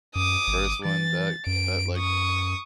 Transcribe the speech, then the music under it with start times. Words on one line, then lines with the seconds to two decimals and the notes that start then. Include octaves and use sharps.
First one that that, like,
0.15 F#2 D6 D#6
0.47 G#1
0.85 E3 A6
1.46 F#2 D7
1.97 C#6 D#6